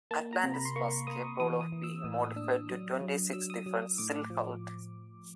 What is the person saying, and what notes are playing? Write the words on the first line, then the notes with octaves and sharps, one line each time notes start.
"Atlantis" was capable of being modified to twenty-six different silhouettes.
A#3 A5
A#5
C3
B5
C6
A#3 C#6
A#3 D#6
E3 D#6
D#6
E3
E6
A2 D#6
E6
D#6
D4 E6
F#3 D#6
F#3
F#3 E6
D#6
F#3 D#6
D#6
A2 D6
F3